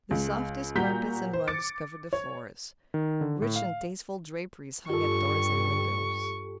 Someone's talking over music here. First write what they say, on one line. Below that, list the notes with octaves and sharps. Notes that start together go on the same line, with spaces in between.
The softest carpets and rugs covered the floors; rich and tasteful draperies hung at doors and windows.
C#2
A#2 G3 F#4 A#5 G6 B6
C5
D6 A6 C#7 D7
C#5
D#3
D3
A2
F5
G2 F4 G4 A4 C#6